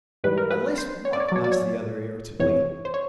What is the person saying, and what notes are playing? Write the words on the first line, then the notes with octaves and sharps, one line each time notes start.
"Unless what?" asked the other, irritably.
G#2 E3 G3 B4
A#4
B4
C5
C#5
D5
C#5
D5
B2 F#3 C#5
D5
C#5
F2 C3 E3 C#5
C5
C#5